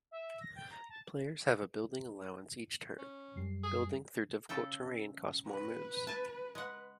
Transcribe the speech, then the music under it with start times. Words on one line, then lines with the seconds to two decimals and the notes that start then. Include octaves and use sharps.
Players have a building allowance each turn; building through difficult terrain costs more moves.
0.11 E5
0.41 A#6
0.56 G5
0.71 A#5
0.90 A5
2.98 C#4
3.36 F#2 G3 C7
3.63 G#4
4.49 C#3 A4 G5
5.48 B4
6.07 G#5 A5
6.55 G#3 F#5